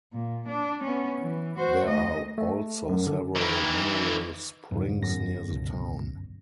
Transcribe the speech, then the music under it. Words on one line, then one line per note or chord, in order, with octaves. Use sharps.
There are also several mineral springs near the town.
A#2
D4
B3 C#4
E3
F#4 C5
D2 D#5
A3
F#2
D3
D#3 E3
B1 F2 G#2 D3
G1 F#2 A#6
C#2 B2